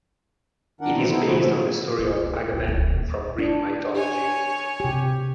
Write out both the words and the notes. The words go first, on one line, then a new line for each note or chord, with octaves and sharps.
It is based on the story of Agamemnon from Greek Mythology.
E2 D#3 D4 A#4 F#5
E3 B3 C4 F#4 C5
B3 D#4 E4 A4
A#2 C#3 E3 F3 G#3 A3
A2 C#3 F3
D1
E4
F2 B2
D#1 C#2
D4
C#5 G#5
C3 G4